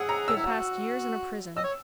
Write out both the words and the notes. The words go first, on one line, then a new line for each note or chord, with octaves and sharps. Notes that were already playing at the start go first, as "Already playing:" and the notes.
He had passed years in a prison.
Already playing: G#4 F#5 E6
A#5
E6
E4
F#4
D#5 E6
C#5